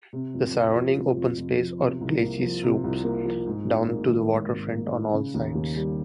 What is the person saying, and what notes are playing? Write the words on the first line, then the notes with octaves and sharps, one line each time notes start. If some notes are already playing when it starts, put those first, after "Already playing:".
The surrounding open space or glacis slopes down to the waterfront on all sides.
C3
F2
F2
F3
C3
F2
F2
F3
C3
C2
A#3
F3
C3
C2
A#3
F3
G#2
G#1
A#3
D#3
G#2
G#1
A#3
D#3
C#3
D#2
D#2
G3